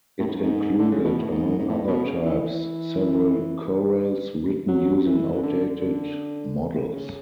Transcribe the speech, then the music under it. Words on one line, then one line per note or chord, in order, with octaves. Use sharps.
It included, among other types, several chorales written using outdated models.
A2
G#2
F#2
G#2
D3
C#3
B2
A2
G#2
G#2
A2
B2
C#3
E3
E3
F#3
E3
E3
D3
D3
C#3